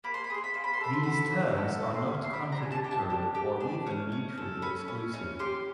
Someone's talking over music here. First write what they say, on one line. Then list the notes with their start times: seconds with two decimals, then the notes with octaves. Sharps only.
These terms are not contradictory or even mutually exclusive.
0.04 A#3 B5
0.14 C6
0.24 B5
0.30 G#4 C6
0.44 B5
0.54 A#3 C6
0.64 B5
0.73 C6
0.81 A4 B5
0.93 C6
1.03 F#4 B5
1.32 F#4
1.57 A4 A#5
1.82 E4
1.95 C6
2.08 C#4
2.24 C6
2.33 D4 B5
2.52 A#5
2.59 D4 G#5
2.72 A5
2.84 G4
2.91 A5
3.10 D4
3.35 G4
3.60 D4
3.87 C#4
4.12 C#4
4.37 A4
4.62 C#4 B5
4.88 C#4
5.14 C#4
5.39 G4 C6